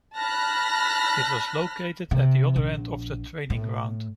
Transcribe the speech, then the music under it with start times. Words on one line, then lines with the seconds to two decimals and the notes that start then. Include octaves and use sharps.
It was located at the other end of the training ground.
0.18 A5 B5 F6 F#6 A#6 B6
2.11 C3
2.56 A#1
3.50 A2